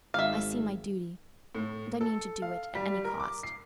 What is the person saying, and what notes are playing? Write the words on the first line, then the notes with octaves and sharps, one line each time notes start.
I see my duty and I mean to do it at any cost.
G#1 E5 F5
A2
A4
F5
G3
A#4
D6
C7